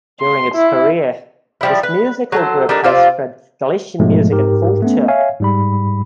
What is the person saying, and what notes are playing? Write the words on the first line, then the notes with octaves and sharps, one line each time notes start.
During its career, this musical group has spread Galician music and culture.
C6
E4
F3 G3 E4
B4
F#3 A4 C5
G3 A#3 D4 D#4
C3 F4 C5 D5
G#2 B2 F3 G#3 A3
G#2 G4 A#4
A3 B3 C#4
C#5 E5 F5 G#5
G#2 G3 B5